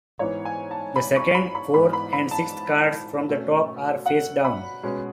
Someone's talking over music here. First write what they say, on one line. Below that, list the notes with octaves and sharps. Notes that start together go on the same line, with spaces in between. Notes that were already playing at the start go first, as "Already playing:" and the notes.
The second, fourth, and sixth cards from the top are face down.
G#2 E3 B3 C#5
G#5
A5
B5
C#6
B5
B5
G#2 E3 B3 B5
B5
B5
A5
B2 A3 C#4
F#5
B5
B2 G#3 C#4